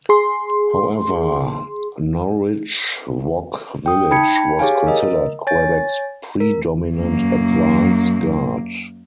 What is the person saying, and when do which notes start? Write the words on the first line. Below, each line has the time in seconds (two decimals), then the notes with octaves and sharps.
However, Norridgewock Village was considered Quebec's predominant advance guard.
0.09 G#4 C6
3.86 G5 D#6
4.11 D#4 G5 A5 B5 G#6 C#7
4.59 G4 G#4 C#5 F5 G#5
4.87 A#4 D#5
5.47 C#5 G#5 A6
6.40 A#4
6.94 F#2 A#3